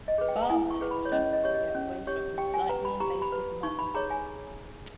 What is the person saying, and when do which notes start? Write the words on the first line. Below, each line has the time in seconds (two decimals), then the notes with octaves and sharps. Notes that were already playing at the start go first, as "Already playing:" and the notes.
Baaba is struggling to get away from his slightly invasive mother.
0.08 D#5
0.18 G#4 B4
0.28 G5
0.43 A#5
0.49 E4 G#5
0.71 C#6
0.81 G#4 B4
0.91 B5
1.05 C#5
1.12 C#4 D#5
1.33 D#5
1.44 G4 C#5
1.54 D#5
1.75 C#4
2.07 G4 C#5
2.38 G4 G5
2.54 G#5
2.69 B4 A#5
2.85 B5
3.00 G4 A#5
3.22 B5
3.32 B4
3.63 D#4 C#6
3.79 B5
3.95 G#4 C#5 A#5
4.10 G#5